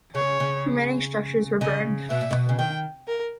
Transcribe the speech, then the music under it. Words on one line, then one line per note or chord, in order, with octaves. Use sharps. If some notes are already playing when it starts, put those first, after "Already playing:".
Remaining structures were burned.
C#3 C#5
C#3
C#3 D#5
B2 E5
A#2
B2
C#3
D#3 G5
A#4